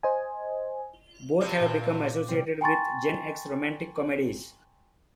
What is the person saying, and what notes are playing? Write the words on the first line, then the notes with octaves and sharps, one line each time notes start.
Both have become associated with Gen-X romantic comedies.
C5 D#5 G#5
G2 C3 C4
A#2
D6
C3 G3 C4
G5 G#5 A#5 C6 C#6 A6